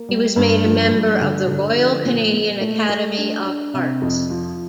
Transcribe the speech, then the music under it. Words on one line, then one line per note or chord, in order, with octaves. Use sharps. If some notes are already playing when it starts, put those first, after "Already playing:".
He was made a member of the Royal Canadian Academy of Arts.
Already playing: A#3
G3
G2
F3
G2
D3
D3
F3
A#2
A#2
A3
A3
D4
D4
C3
F2
F3